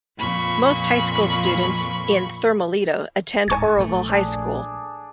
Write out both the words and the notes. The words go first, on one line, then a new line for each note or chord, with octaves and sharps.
Most high school students in Thermalito attend Oroville High School.
F2 A#2 B5 C#6
D1 G#2 G#5 C#6 G#6
A#1 A3
D4 G#4